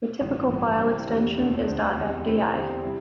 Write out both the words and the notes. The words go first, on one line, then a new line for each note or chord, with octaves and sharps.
The typical file extension is ".fdi".
A1 G2 D3
G1 G2 E3
C2 C3 G3 E4 C5
E2 C3 E3 G3
E1 D2 D3 C4
D2 D3 G3 D4 C5
E2 D3 C4 G4
C3 A3 E4 C5 E5
E2 D3 C4 G4 C5
C3 G3 E4